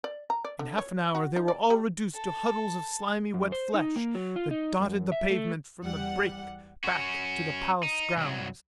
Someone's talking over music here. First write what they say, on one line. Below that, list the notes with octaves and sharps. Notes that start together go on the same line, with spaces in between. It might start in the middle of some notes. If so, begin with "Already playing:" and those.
In half an hour they were all reduced to huddles of slimy wet flesh that dotted the pavement from the break back to the palace grounds.
D5
A#5
D5
D3
C#5
F#4
D#4
D5
G3
A4
F#2
C5
D#4
A#3
F#3
F4
D#4
F#2
E5
A3
E2 G3 F#5
C#4 F#4
D#4
C2 F#3